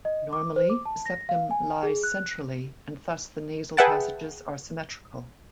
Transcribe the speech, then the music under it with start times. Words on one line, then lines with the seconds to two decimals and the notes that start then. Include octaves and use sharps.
Normally, the septum lies centrally, and thus the nasal passages are symmetrical.
0.05 D#5
0.33 D6
0.56 C5
0.70 D6
0.85 A5
1.06 A#6
1.29 F5
1.51 G#5
1.83 G#4
2.03 F#6
3.77 G#4 B4 E5 F#5 G5 A5